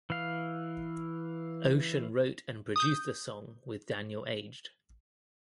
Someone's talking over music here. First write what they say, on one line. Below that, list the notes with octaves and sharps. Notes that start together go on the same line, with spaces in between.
Ocean wrote and produced the song with Daniel Aged.
E3 F5
D#6 G6